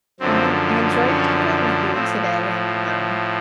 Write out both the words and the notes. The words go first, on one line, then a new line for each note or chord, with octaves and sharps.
Well, I I enjoyed chatting with you today and, um,
F#2 D3 F3 C4
C#4
A2 F3 C4